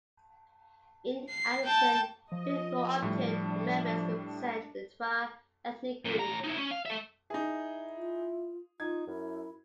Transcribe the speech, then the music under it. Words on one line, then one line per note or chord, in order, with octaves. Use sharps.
In addition, three co-opted members represent the Twa ethnic group.
C7
G5 A5
F3 D#5
A2 G3 D4
F#2 A#2
A2 A#5
D#4 E4
C#4
F5
A4 E5
D#4 E4 G#4
F4
D#4 F4 G#6
F#2 E4